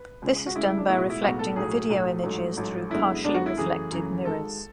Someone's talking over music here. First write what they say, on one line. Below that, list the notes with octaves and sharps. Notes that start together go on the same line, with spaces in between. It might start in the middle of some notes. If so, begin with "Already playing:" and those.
This is done by reflecting the video images through partially reflective mirrors.
Already playing: B4
C#2 C#3 G#3
F#4
C#2 C#3 G#3 E4
E4
D4
B1 A2 G#3 B3 E4
F#4
E4
B1 A2 G#3 B3 F#4
A4
B1 A2 F#3 A3 G#4
B1 A2 F#3 A3
A1 G#2 F#3 A3
A1 G#2 F#3 A3
F#2 D3 G#3 B3 E4
F#2 D3 G#3 B3 D4
F#4
E4
F#2 C#3 E3 A3 G#4
F#2 C#3 E3 A3
G#1 G#2 G#3 A4